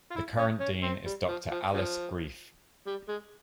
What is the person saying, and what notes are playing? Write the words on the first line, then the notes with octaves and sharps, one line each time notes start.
The current dean is Doctor Alice Griefe.
F4
E4
C#4
C#4
C4
G3
F3
F3
C#3 F3
G3
G#3